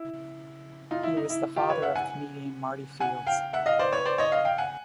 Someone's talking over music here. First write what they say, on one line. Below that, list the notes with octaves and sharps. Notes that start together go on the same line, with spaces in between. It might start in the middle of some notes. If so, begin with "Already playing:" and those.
He was the father of comedian Marty Fields.
Already playing: E4
D#4 F4
E4
D#4
E4
F4 G4
B4 C#5
E5 F#5
F#5 G#5
F#5 G#5
F5 G5
E5 F#5
D#5 F5
C5 D5
B4 C#5
C5 D5
C#5 D#5
D#5 F5
F5 G5
F#5 G#5